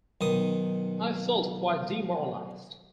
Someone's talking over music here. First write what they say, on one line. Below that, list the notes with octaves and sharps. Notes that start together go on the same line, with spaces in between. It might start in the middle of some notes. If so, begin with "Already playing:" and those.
I felt quite demoralised.
B1 D#3 D#6